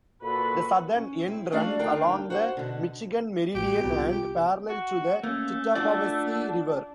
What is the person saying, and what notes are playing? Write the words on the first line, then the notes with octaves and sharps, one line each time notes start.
The southern end runs along the Michigan Meridian and parallel to the Tittabawassee River.
A#2 F#4 A4 B4 B5
C#4
C4 E4
F3 A3 D4 F#4 D5 F5
D2 D4 D#4 A#4 F5 G5
F#4 C5 F#5
B2 D3
A1 F#4 G4
C2 B2 F4
G4
F#4
A3 A#3 C#4
D4 F4 F#4 D5